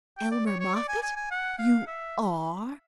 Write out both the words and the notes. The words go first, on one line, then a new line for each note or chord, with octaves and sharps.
"Elmer Moffatt--you ARE?"
G5
D5
C#5
C#5
D5
G#5
G#5
G#5
F#5
F5
E5